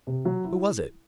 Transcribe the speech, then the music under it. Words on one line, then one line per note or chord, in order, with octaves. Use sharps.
"Who was it?"
C3
F#3
E4